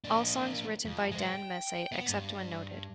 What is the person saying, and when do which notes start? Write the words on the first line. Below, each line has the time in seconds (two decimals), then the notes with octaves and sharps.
All songs written by Dan Messé, except when noted.
0.04 A#3 D4
0.85 F2
1.11 G#3 C5
1.27 G5
1.92 B3
2.09 G2